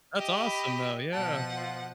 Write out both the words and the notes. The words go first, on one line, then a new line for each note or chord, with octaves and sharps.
That's awesome, though. Yeah.
G4 D#5
B5
B2 F3 F#5 A5
F4